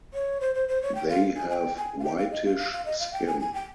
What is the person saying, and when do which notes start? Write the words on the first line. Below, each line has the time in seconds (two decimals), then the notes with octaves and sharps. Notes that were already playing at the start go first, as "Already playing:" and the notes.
They have whitish skin.
0.14 C#5
0.41 C5
0.55 C5
0.68 C5
0.82 C#5
0.95 G5
1.09 F5
1.36 G#5
1.49 G#5
1.54 G5
1.77 G#5
1.99 F5
2.04 G5
2.18 F5
2.31 D#5
2.45 F5
2.59 F5
2.72 F5
2.85 D#5
3.00 F5
3.13 G5
3.27 G#5
3.40 G#5
3.54 G5